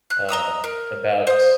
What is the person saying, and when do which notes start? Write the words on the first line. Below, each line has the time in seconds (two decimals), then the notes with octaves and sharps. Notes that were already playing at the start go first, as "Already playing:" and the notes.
um, about
0.10 F#6
0.29 D#5 A#5 D#6 E6
0.64 A#4
1.27 C5 D#6